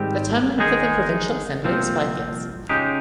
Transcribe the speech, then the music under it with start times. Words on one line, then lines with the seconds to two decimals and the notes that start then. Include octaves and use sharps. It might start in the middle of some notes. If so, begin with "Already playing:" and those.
The term length of the provincial assembly is five years.
Already playing: G#2 D#3 G3 C4 G4
0.58 D#3 G#3 D#4 G#4
1.64 C2 A#2 F3 C4
2.69 C#2 C#3 G#3 D#4 G4